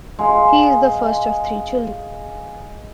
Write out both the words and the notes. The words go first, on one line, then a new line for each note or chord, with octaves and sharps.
He is the first of three children.
G#3 F5